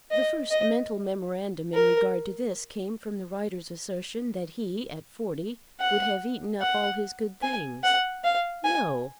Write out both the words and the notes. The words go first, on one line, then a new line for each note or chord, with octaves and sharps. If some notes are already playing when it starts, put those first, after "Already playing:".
The first mental memorandum in regard to this came from the writer's assertion that he at forty would have eaten up all his good things. No!
D#5
D#5
A#4
F#5
F#5
G#5
F#5
F5
G#5